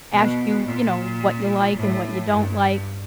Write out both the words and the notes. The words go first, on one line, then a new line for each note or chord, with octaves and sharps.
ask you, you know, what ya like and what ya don't like.
B2
A#2
A2
G2